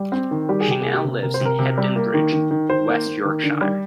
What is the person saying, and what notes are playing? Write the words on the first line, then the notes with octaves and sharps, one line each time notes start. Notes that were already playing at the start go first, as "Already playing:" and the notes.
She now lives in Hebden Bridge, West Yorkshire.
Already playing: G3
C4
D#3
G3 G4
G#4
C3 G4
A#3 G#4
G4
C3
C3 A#4
C5
C3 A#4
C3
G3
A#3
D#3
D#3
D#3
D#3 C5
A#3
A#3
D#3
D3
G3